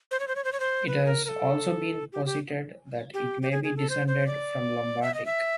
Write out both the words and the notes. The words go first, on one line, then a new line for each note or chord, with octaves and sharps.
It has also been posited that it may be descended from Lombardic.
C5
C#5
C5
C#5
C5
C#5
C5
B4
A#4
A#4
A4
G4
G4
G4
G4
G#4
G#4
A4
C5
C5
D5
E5
D#5
E5